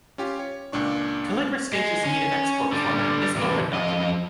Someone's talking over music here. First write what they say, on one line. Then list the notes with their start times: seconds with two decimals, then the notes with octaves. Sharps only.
Calligra Stage's native export format is OpenDocument.
0.18 C#4 F4 G4
0.39 C#5
0.72 C#2 A#2 D4 C#6
1.73 G#3
2.04 C#4
2.72 D3 G3
3.36 E2 C3
3.73 F2 D#5